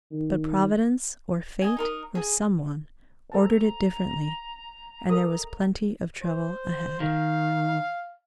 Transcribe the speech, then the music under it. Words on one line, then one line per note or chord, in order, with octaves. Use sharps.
But providence, or fate, or some one, ordered it differently, and there was plenty of trouble ahead.
D#3
D#5 G#5
D#4 A#4 D#6
G#4
A4 C5 A5 A#5
A4 A#4 D#6
C5
D#3 F5